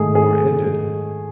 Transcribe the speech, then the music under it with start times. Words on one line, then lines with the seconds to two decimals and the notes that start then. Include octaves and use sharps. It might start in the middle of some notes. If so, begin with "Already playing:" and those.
The war ended.
Already playing: G#2 D#3 A3 G#4
0.15 G#4